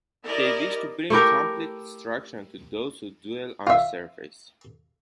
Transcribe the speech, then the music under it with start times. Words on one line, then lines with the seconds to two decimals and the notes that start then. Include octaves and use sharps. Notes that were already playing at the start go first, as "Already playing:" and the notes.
They wish to bring complete destruction to those who dwell on the surface.
0.25 E4 G4 A#4 D5 D#5
1.10 A3 E4 G4 A#4
3.67 F4 E5